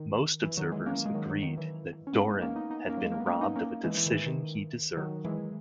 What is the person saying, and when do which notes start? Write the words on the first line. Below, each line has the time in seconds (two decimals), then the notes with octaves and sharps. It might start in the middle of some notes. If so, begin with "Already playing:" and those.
Most observers agreed that Dorin had been robbed of a decision he deserved.
Already playing: D#3
0.43 E3
0.57 D#3 F#3
0.72 E3 G#3
0.86 A#3 C#4
1.06 G#3
1.14 D#3 F#3
1.29 D#3 F#3
1.43 D#3
1.58 E3
2.07 C#4
2.13 G#3 B3
2.27 B3 D#4
2.42 A#3 C#4
2.56 B3 D#4
2.70 B3 D#4
2.89 A#3 C#4
2.98 F#3
3.04 G#3
3.12 A#3
3.20 B3
3.26 A#3 C#4
3.41 B3 D#4
3.56 A#3 C#4
3.84 E3 G#3
3.97 E3
4.06 D#3
4.11 E3
4.26 D#3
4.97 D#3 F#3
5.25 E3 G#3